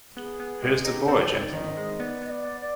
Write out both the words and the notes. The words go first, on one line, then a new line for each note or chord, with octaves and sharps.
Here's the boy, gentlemen!
B3 G#4
B3
G#3 G4
G#4
D#4 G4
C4 D5
C4
D#3 D#5
G#3
B3 D5
B3 D#5
D5
B3
D5